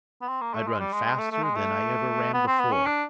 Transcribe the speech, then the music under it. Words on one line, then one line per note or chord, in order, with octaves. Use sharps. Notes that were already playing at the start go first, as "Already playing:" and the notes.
I'd run faster than I ever ran before.
B3
C4
A#3
A3
G#3
G3
G#3
G#3
A3
A3
G#3
A3
B3
C4
B3
C#4
D4